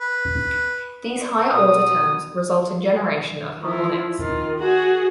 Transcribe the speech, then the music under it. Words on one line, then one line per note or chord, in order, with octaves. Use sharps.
These higher-order terms result in generation of harmonics.
B4
B2 D#6
F3 E4
D#3 F4
F#4 G#4